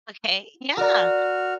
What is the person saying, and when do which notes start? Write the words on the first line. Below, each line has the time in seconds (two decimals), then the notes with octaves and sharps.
Okay, yeah.
0.77 F#4 A#4 D5 F6